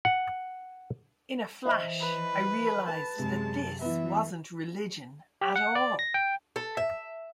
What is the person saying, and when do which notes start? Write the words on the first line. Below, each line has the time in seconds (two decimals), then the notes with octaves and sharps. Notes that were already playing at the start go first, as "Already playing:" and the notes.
In a flash I realised that this wasn't religion at all.
0.05 F#5
1.65 E3 C5 D#5 E5
2.01 B4
2.88 B4 A5
3.19 F#2 C3 G#3
3.81 E3 B3 E4 E5
5.41 G4
5.56 F#5
5.75 D5
5.99 A#6
6.14 G5
6.56 A4
6.77 E5